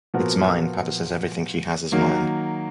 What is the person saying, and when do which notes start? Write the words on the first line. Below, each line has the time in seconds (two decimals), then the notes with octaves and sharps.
It’s mine: papa says everything she has is mine.
0.14 A#2 F3 B3 F#4 A#4
1.92 D#3 F#3 A#3